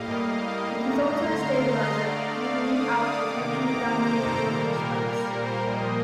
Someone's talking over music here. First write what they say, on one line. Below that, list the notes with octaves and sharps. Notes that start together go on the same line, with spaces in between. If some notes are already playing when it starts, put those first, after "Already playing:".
It is also a stabilizer, evening out potentially damaging voltage spikes.
Already playing: A2 G3 A#3 D#5 F5
D3 A3 A#5
C6
F5
D#5
D3 A3 D5
F5
D#6
D#6
C3 D#3 A#3 D6
A#5
C5
A4
A#2 G3 A#3 A#4
A#4
A#4
C5
A#2 F3 A#3 D#5